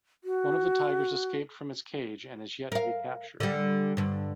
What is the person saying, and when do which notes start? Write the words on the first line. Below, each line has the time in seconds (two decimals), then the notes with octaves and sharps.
One of the tigers escaped from its cage and is yet to be captured.
0.24 F#4
2.72 A#4 F5
3.40 D3 G3
3.97 G2 D3